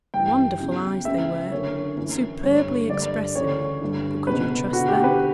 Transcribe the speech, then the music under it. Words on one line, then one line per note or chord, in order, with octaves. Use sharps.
Wonderful eyes they were, superbly expressive, but could you trust them?
G2 E3 G5
E2 C#3 E3
C#2 C#3 E3 E5
F#2 D3 C#5
F#2 E3
G2 D3 C#5
G2 D3 D5
D2 C#3 E3 C#5
G2 D3
C#2 B2 B4
E2 D3 F#4
G4
B4